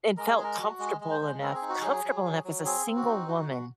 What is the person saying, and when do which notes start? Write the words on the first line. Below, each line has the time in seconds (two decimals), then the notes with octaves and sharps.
and felt comfortable enough comfortable enough as a single woman
0.17 G#3 A#4
0.30 G#4
0.39 G#3 A#4
0.59 F#4
0.79 G#3
1.01 G#3
1.11 C5
1.21 G#3
1.41 C4 A#4
1.55 G#4
1.62 D#4
1.69 F#4
1.81 F#3 G#4
2.04 F#3
2.24 F#3
2.44 F#3
2.65 C4 G#4
2.86 C4
2.96 F#4
3.07 D#4
3.28 F#4
3.49 F#4